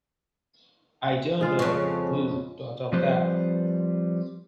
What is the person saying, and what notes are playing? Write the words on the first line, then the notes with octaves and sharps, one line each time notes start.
I don't know who thought of that.
G#3 F4
F2 C#3
F3 G3 C4 B4 C5